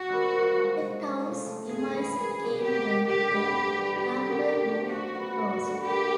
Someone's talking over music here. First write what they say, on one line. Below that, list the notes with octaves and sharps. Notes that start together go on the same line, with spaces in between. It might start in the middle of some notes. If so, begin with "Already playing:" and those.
The town's demise came when the lumber mill closed.
Already playing: F#4
D#3 G3 C4
A#2
F3 G#3
G#3
C4 F4
A2
F3 A3
G2 G#4
E3 G#3
F#2 G#4
D#3 G3
F#3 G4
A#3 C#4
D3 G4
G3 B3 D4
G2
E3 G3
D3 G4
F#3 A#3
D3
F3 A3
C#3 F#4
F#3 B3 D#4
G2
D3 G3 B3
A#2 G4